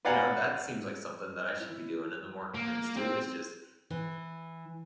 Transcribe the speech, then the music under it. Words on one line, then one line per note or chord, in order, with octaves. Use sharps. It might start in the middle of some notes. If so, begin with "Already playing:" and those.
you know, that seems like something that I should be doing in the mornings, too, is just
B4 D5 F5 F#5 G#5 A#5
E4
A#3
C4
E3